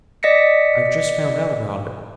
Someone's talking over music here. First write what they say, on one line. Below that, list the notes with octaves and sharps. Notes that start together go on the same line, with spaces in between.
I have just found out about it.
D5 D#5 A#6 B6 C#7